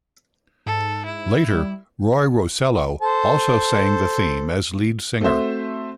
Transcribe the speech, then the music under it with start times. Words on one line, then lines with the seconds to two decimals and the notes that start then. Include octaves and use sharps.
Later, Roy Rosello also sang the theme as lead singer.
0.66 G#2 A4
1.06 E4
1.53 G3
3.02 A4 C5 A5
5.21 A3 C4 F#4 C5 E5